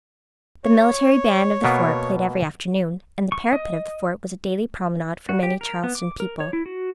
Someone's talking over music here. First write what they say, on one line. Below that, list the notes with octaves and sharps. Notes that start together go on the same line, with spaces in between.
The military band of the fort played every afternoon, and the parapet of the fort was a daily promenade for many Charleston people.
C#5
B2 A#3 B3
C#6
D#5
F#4
G4
A#4
B3
D6
A#4
C#5
E4
F#4